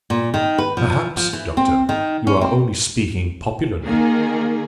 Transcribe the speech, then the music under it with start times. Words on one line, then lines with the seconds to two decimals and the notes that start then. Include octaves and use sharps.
"Perhaps, doctor, you are only speaking popularly?"
0.10 A#2
0.34 D#3
0.58 B4
0.77 F3
1.17 F3
1.33 E3
1.57 C4
1.89 D#3
2.27 C#4
2.41 C4
3.84 D#3 A#3 G#4